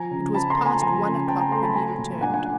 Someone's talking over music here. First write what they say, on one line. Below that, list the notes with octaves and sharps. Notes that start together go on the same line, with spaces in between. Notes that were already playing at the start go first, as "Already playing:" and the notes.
It was past one o'clock when he returned.
Already playing: F3 G#5 A#5
C#3
C4 A5 B5
A#5 C6
A3
G#5 A#5
F3 G#5 A#5
C#3
C4 G5 A5
G#5 A#5
A3 A#5 C6
A5 B5
F#3 G#5 A#5
A#2
D4 F#5 G#5
F#5 G#5